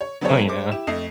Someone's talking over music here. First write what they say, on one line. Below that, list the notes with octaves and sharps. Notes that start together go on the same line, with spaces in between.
Oh, yeah.
C#5
F#3 B3 C4 A4 C5 C#5
G#3 C5 D6
E4 G4 E7
F2 A3 D#5 C7